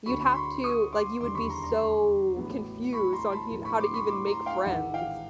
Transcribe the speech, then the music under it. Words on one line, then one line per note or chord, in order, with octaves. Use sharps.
you'd have to like, you would be so confused on he how to even make friends.
D2 D3 F#3 B5 C#6
C6
B5 C#6
C#6 D#6
C6 D6
E1 D#2 D3 G3 C6 D6
B5 C#6
A#5 C6
A#5 C6
A1 A2 F#3 B3
B5 C#6
A#5 C6
A5 B5
B1 A2 F3 A#3
B5 C#6
C6 D6
B5 C#6
C6 D6
A#5 C6
F5 G5
A1 G#2 D#3 G#3 E5 F#5
F5 G5